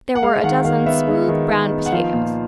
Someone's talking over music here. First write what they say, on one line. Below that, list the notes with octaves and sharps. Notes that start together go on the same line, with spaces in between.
There were a dozen smooth, brown potatoes.
F#5
G#3 F5
D#3 F#5
D#3 F5
B3 E5
G#3
D#3
D#3
B3
F#5
F3 F5
A#2